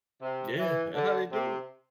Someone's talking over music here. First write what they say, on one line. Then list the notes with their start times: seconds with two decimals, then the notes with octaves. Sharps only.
Yeah, that how they do it.
0.22 C3
0.58 E3
0.94 D3
1.32 C3